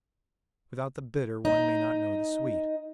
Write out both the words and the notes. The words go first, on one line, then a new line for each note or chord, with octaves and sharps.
Without the bitter one may not know the sweet.
D#4